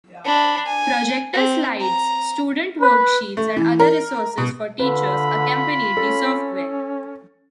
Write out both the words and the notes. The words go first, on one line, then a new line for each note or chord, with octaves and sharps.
Projector slides, student worksheets, and other resources for teachers accompanied the software.
D4 B5
G#5
C4
A#5
B4
A3
E3
A#4
B2
D3 F4 B4 B5
C#4 A4